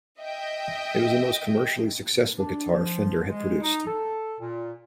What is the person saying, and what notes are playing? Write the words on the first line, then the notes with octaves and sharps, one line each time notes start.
It was the most commercially successful guitar Fender had produced.
D#5 E5 G5
D4
F3
G#3
D#4
A4
A#2